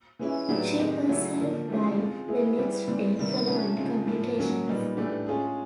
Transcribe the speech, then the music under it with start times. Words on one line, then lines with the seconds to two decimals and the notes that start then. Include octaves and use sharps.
She herself died the next day following complications.
0.19 E3 G#3 C#4 E4
0.49 A2 F#3 B3 D4 G4
0.79 D#3 G#3 C4 D#4 G4
1.08 C#3 F#3 A3 C#4 E4
1.39 D3 F3 A#3
1.68 F3 A3 C#4 E4 G4
1.99 G#3 C4 F4
2.28 G#3 B3 E4 G#4
2.58 E3 G3 B3 E4 G4
2.87 E3 G3 C4
3.17 C3 D#3 G3 B3
3.47 C3 F3 A3 C#4
3.77 C#3 F3 G#3 C4 F4
4.07 A2 F3 A#3
4.37 F#3 A#3 C#4
4.67 A#2 G3 B3 D#4
4.97 A2 E3 A3 D4 G4
5.27 G#3 C#4 F4 G#4